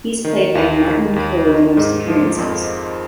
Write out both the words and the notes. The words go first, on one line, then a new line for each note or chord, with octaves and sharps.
He is played by Martin Kove in most appearances.
D#3
D#2
D#3
D#2
D#3
G#2
F3
F2